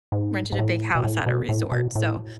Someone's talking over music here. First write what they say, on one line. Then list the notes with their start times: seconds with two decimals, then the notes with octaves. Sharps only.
rented a big house at a resort. So,
0.12 G#2
0.52 G#2
0.59 A2
0.95 B2
1.04 A2
1.26 B2
1.49 A2
1.72 B2
1.95 A2